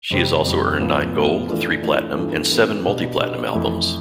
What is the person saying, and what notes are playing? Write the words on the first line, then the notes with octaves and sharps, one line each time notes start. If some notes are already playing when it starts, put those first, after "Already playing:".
She has also earned nine gold, three platinum, and seven multi-platinum albums.
F2 C3 G3 C4
F2 C3 G3 C4
A2 F3 B3 F4
A2 F3 B3 F4
E3 A3 D4 F4 A4
E3 A3 D4 F4 A4
G2 E3 B3 F4 A4
G2 E3 B3 F4 A4
B2 B3 D4 G4
B2 B3 D4 G4
F2 E3 A3 E4